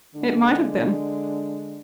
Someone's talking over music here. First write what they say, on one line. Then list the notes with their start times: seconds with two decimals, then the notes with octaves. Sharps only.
It might have been.'
0.16 D3 G#3 D4